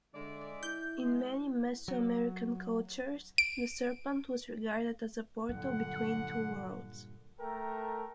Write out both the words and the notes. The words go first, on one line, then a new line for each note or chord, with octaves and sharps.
In many Meso-American cultures, the serpent was regarded as a portal between two worlds.
D3 G#3 D5 E5
E4 G6
G#3
F#3
D7
G2 A#2 D3 F#3 F#5
A3 A4 A#4 G5 A#5